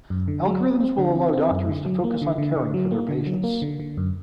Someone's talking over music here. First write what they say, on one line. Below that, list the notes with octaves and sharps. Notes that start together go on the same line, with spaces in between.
Algorithms will allow doctors to focus on caring for their patients.
F#2
D3
F#3
C4
C4
D3
C4
C4
F#2
D3
F#3
A#3
D3
D3
D3
F#3
A#3
D3
F#3
A#3
D3
D3
F#2